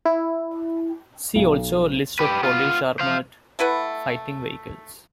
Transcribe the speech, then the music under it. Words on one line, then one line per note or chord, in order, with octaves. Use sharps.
See also list of Polish armoured fighting vehicles.
E4
B1
G4 B4
B3 F4
C5 F5
A3 E4 B4 F#5